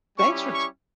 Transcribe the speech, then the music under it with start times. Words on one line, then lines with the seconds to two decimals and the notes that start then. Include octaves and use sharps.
thanks for t
0.17 G3 C#4 E4 G4 C#6
0.53 C#6